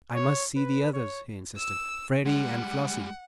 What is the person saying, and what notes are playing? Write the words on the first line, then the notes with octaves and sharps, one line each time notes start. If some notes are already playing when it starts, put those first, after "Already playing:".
"I must see the others," he insisted; "Freddie and Flossie."
C#5
B4
C#5
E6
G3 G#3 F#5